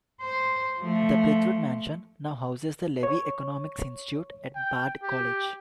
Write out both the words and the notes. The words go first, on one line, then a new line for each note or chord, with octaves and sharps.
The Blithewood mansion now houses the Levy Economics Institute at Bard College.
C5
F3 A3
C#5
G5
G4